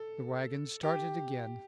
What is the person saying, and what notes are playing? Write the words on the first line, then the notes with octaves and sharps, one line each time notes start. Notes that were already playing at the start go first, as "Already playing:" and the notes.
The wagon started again.
Already playing: A4
G4